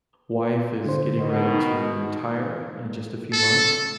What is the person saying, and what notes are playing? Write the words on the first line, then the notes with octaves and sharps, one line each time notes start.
wife is getting ready to retire in just a few months,
D3 C5
B2 D#3
D#4
A4